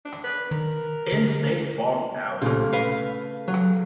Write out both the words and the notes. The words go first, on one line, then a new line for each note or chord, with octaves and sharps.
In State Farm Auto.
D4
B4
D#3 A#4
D3
C2 A#2 C#3 A3 F6
B4 F5
F#3